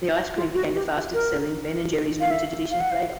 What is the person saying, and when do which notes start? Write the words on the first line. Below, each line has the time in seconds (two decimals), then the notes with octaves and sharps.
The ice cream became the fastest-selling Ben and Jerry's limited-edition flavor.
0.36 F4
0.54 F#4
0.74 G4
1.14 A#4
2.21 F5
2.31 E5
2.71 F5
2.80 F#5
2.91 F5